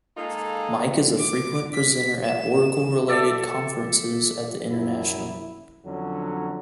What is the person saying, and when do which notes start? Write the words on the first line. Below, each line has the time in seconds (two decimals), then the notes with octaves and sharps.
Mike is a frequent presenter at Oracle related conferences at the international.
0.17 G#3 A#3 D#4 F4 G#4 A4
1.18 D6
1.74 B6
2.25 E7
3.08 A4 D5 E5
4.69 F#2 E4
5.84 F2 D3 F#3 C#4